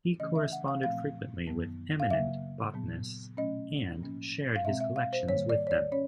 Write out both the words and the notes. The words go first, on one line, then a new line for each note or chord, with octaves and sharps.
He corresponded frequently with eminent botanists and shared his collections with them.
C#3 E3 A3 C#4 D#5
E5
F#5
F5
A#2 F3 A3 C4 F5
F#2 D#3 F#3 B3
F5
C#3 F#3 A#3 E5
A#2 F#3 B3
B2 F#3 A3 C#4 D#5
A2 F3 A#3 C#4
F5
B2 G#3 C4 E5
E5
F5
C5
G#2 D#3 G3 A#3 C#5
D5
C#5
D5
C#4 C#5